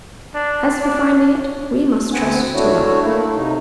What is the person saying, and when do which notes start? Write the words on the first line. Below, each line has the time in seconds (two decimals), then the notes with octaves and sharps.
"As for finding it, we must trust to luck."
0.35 D4
0.81 D4
2.13 D2 B3 C4 F#5 G#5
2.54 A3 D4 E4 F#4 C#5
3.02 A3 A#3 E4
3.36 C3 D#4